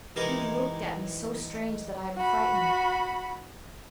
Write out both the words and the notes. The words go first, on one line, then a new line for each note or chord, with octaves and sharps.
He looked at me so strange that I am frightened.
D#3 E3 G#3 D#4 G4 A#4
F#4 B5